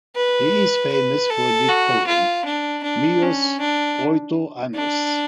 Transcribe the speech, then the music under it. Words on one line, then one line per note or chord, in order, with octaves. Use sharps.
He is famous for the poem "Meus oito anos".
B4
B4
A4
F#4
F4
D4
D4
C#4
D4
D4